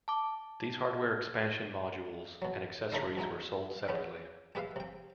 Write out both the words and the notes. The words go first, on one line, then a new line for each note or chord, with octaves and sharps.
These hardware expansion modules and accessories were sold separately.
A5 D6
B2 F#3
C#3 A3 D#4 E4 D#5 C6
B2 G#3 D#4 E4
E2 B3 C#4 B5
G#3 G4 B4 E5 F5
C3 G5